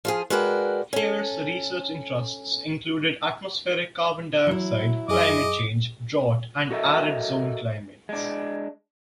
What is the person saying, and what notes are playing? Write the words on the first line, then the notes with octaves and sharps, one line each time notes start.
Hare's research interests included atmospheric carbon dioxide, climate change, drought, and arid zone climates.
F3 F4 G#4
G#3 F#4 A#4 B4 D5 G5
C#4 A4
F#3 E4
F#2 G#4 D#5 D6
F#4 A4 A#4 D#5 E5
G#3 D4